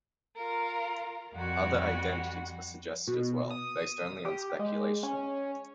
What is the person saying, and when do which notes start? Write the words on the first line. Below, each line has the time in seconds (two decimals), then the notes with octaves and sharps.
Other identities were suggested as well, based only on speculation.
0.35 F4 A#4
1.32 F2 G3 F#4
3.07 B2
3.50 D#6
4.25 G4
4.59 G#3
5.03 C#4